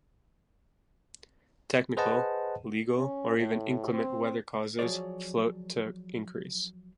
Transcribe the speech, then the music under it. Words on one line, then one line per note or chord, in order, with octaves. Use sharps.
Technical, legal or even inclement weather causes float to increase.
G#4 B4 C5 D#5 F#5 A5
C#4
A2
C4
F3 F#3 A3 G#4 C#5 D5